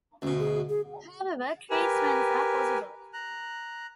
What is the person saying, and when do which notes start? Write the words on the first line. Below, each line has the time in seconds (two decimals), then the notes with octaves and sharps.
However, treatments are possible.
0.22 D2 B2 C#4
0.39 G#4
0.69 G#4
1.71 G4 A#4 B4 G#5
3.13 A#5 F#6